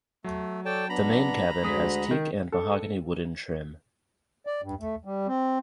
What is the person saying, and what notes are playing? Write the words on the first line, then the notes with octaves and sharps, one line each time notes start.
The main cabin has teak and mahogany wooden trim.
F#3 A3
A4 C#5 D5 G5 A5
B3 D4 A#5 B5
D2 D3 G#3 D#6 B6
D#3
A4
D5
G2
A3
G3
C4